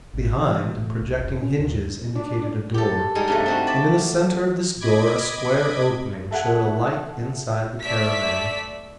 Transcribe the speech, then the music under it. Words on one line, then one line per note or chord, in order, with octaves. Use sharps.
Behind, projecting hinges indicated a door, and in the centre of this door a square opening showed a light inside the caravan.
G#1
E3
A2
C2
F1
C#4
D#2
D4
G4 A4
G3 G#3 D#4
G2 C3 A3
C4 D#4 F#4
D5 A5 B5
D#5 B5 D6 G#6
A4 E5 F#5 G#6
A3 D5 E5 B6